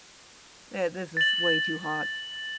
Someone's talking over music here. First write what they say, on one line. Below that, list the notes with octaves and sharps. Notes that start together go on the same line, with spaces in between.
eh, this is way too hot."
A6 F#7